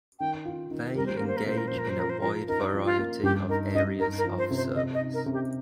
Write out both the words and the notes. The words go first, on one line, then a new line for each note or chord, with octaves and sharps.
They engage in a wide variety of areas of service.
D#3 G5
F4
D#3
G3 A#4
C5
A#3 A#4
C5
A#4
A#2 C5
A#4
F3 C5
A#4
C5
F3 A#4
C5
F3 A#4
D#4 A#4
F3
F4
A#3
G2 G4
D#4 A#4
G2 D#5
D#4 A#4
A#4
F3
C5
C3
C5
C3 D#5
D#5
D#4
A#4
C3
G4